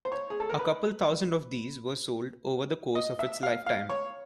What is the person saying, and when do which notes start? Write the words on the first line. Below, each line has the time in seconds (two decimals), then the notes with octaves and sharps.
A couple thousand of these were sold over the course of its lifetime.
0.05 C5
0.12 C#5
0.30 G#4
0.40 A4
0.49 A#4
0.59 B4
2.95 D#5
3.19 E5
3.43 F5
3.66 F5
3.89 C#5